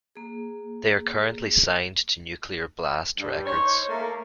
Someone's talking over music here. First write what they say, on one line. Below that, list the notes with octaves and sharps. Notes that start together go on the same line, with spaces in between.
They are currently signed to Nuclear Blast records.
A#3 G#4
G2
D#4 C5 C#5
A3 A#3